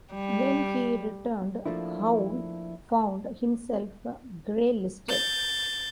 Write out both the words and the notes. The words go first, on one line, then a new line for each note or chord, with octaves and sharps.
When he returned Howe found himself gray-listed.
G3
F3 A3 A#3 D4 E4
G6 A6